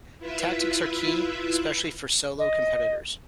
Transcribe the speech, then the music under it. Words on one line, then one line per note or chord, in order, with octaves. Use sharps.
Tactics are key, especially for solo competitors.
E4 F4 B4 E5
D#5